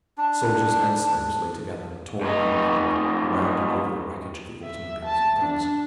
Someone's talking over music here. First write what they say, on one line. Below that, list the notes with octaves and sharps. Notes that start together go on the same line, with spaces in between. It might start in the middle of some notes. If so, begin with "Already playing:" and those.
Soldiers and slaves lay together, torn and mangled, around and over the wreckage of the automobiles and guns.
D4
F2 D#4
E5
A5
D4